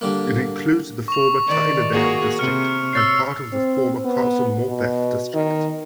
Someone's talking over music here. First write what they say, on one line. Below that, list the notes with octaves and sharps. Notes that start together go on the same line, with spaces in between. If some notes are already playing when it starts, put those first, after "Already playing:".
It includes the former Tynedale district and part of the former Castle Morpeth district.
D3 G3 A#3
C#6 F7
D#3 D5
A#3 F#4 G#4
C3 F6 C#7
C#5 E6 A6 C7
C4
B3
B2
D#3